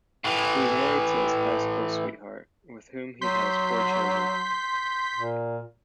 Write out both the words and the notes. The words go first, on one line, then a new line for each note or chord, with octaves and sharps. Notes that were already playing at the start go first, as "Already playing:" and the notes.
He is married to his high school sweetheart, with whom he has four children.
A2 E3
F#3 C6 G6 B6
A#2